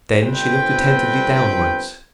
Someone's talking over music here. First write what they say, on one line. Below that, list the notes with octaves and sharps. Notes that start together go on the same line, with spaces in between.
Then she looked attentively downwards.
G1 C4 B4 G5